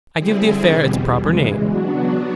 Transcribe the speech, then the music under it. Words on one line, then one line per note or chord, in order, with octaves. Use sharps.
I give the affair its proper name.
D3 G3 C4 E4 G#4
E2 B2 G3
C#3 E3 G#3
F#3 B3 D4 F#4